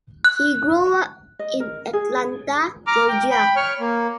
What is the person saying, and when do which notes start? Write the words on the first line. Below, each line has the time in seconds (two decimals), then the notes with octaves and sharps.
He grew up in Atlanta, Georgia.
0.24 F#6
1.39 D#5
1.60 A#4
1.93 G#4
2.87 A#5 D6 F6
3.09 G5
3.31 G5 B5
3.56 C#5 C#6 F6
3.80 A#3